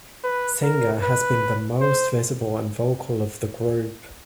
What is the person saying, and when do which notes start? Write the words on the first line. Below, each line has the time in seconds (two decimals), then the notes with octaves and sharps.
Singer has been the most visible and vocal of the group.
0.24 B4
0.63 A#4
1.02 B4
1.80 C5